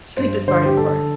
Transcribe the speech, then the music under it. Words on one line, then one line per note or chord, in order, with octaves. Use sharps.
sleep is very important.
G2 C5
D3 C5
G4
D3 A4